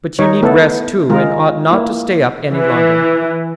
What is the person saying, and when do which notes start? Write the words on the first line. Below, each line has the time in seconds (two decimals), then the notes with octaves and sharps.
"But you need rest too, and ought not to stay up any longer."
0.19 D#3 D#4 C#5
0.43 A3 B3 E4 A4
1.09 D#3 G#3 F4 A#4
1.71 A#3 E4
2.50 E3